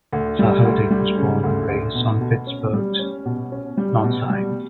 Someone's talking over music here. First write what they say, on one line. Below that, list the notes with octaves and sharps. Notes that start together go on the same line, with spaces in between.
Flaherty was born and raised on Pittsburgh's North Side.
D2
G3
D2
G3
C#3
D2
D2
B2
B2
C#4
G3
C#4
B2
C#4
G3
B2
G3